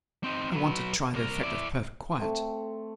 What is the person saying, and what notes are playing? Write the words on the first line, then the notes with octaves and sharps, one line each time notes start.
I want to try the effect of perfect quiet.
C4 D#4
F#3 B4
C2 A#4
E4 D5
A3 C4